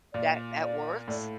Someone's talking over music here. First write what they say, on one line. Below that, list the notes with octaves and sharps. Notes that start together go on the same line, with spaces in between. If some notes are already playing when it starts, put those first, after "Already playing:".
that that works.
A#2 D5
D5
A2 D5